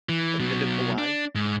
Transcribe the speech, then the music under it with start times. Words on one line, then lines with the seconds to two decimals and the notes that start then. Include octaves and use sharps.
Have you been to Kauai?
0.09 E3
0.40 B2 F#3
0.98 D4
1.35 G#2